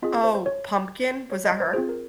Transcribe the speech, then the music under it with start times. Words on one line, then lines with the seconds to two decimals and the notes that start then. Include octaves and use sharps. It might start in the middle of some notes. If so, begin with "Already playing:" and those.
Oh, Pumpkin? Was that her?
0.02 C4 F4 G#4 D#5
0.24 C5
0.35 C5
0.46 C#5
1.31 C#5
1.45 D#5
1.60 C5
1.73 C4 F4 G#4 C5
1.89 A#4